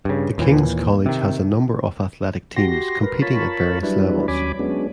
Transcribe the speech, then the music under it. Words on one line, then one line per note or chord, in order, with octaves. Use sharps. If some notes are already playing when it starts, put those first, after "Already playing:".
The King's College has a number of athletic teams, competing at various levels.
G2 C#3
D#2 A#2 E3
C3 D#3
F#4 G4 C6 A#6
A#4 B4
F4 A#4 C#5 A5 B5
F#3 G3 D4 E4 B4
D#2 F#3 C#4 G#5 B5 D6
F#3 G#3 B3 C#4 D4